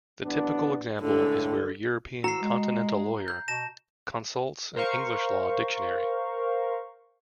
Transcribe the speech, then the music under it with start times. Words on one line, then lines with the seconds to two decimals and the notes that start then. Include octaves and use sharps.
The typical example is where a European continental lawyer consults an English law dictionary.
0.23 A1 B3 D4
1.01 C#2 A2 D3
2.24 A2 E3 F#4 A#5 E6 C7
2.42 G#3
3.28 G6
3.48 B2 A5 A#6 E7
4.76 A#4 C5 F5 C#6